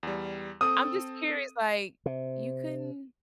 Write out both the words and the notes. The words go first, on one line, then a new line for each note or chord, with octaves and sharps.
I'm just curious, like, "You couldn't,
E2 G3
C4 A4 D#6
C3